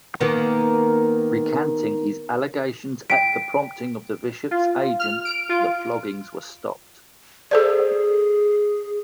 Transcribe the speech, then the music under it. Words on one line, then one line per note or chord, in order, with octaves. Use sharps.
Recanting his allegations at the prompting of the bishop's agent, the floggings were stopped.
D#3 A#3 B3
G5 B6 D7
F4
F6
D7
F4
G#4 A4 C5 D5